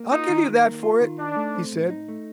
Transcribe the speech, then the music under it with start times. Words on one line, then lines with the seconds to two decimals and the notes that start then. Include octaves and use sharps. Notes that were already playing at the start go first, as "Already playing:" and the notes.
"I'll give you that for it," he said.
Already playing: A#3
0.11 D#4 F4
0.29 D#3
0.47 D#3
0.65 A#3
0.83 F4
1.00 D#3
1.18 D4 D#4
1.36 A3
1.55 C4
1.72 A2
1.90 D#4
2.08 A3